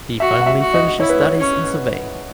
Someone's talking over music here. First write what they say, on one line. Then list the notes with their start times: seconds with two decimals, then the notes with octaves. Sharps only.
He finally finished his studies in Surveying.
0.20 F#4 E5
0.41 F#5
0.46 E5
0.60 F#4
0.74 D#5
1.00 E4 C#5
1.09 B4
1.21 C#5
1.39 C#4